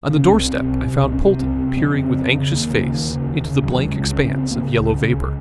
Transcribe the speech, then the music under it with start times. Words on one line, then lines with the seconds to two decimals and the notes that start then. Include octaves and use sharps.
On the doorstep I found Polton peering with anxious face into the blank expanse of yellow vapour.
0.09 C#3
0.16 C#4
0.27 C2 C4
0.46 C3
0.64 C2
0.84 C3
1.02 C2 C4
1.12 C#4
1.21 C3 C4
1.40 C2
1.58 C3
1.76 F2 C4
1.95 C#3
2.14 F2
2.33 C#3
2.52 D#2 A#3
2.70 C#3
2.88 D#2
3.07 C#3
3.26 D#2
3.45 C#3
3.63 D#2 F#3
3.81 C#3 G#3
4.01 C#2
4.13 C#4
4.19 C#3
4.25 C4
4.37 C#2 C4
4.51 A#3
4.56 C#3
4.76 C#2
4.94 C#3
5.13 C#2